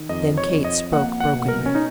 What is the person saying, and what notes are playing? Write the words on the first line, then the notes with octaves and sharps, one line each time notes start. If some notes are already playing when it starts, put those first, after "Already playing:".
Then Kate spoke brokenly.
Already playing: D#3
F2 D#5
C#5
F2
D#5
A#3 F#5
F#5
B2
A#4
C#4
D#4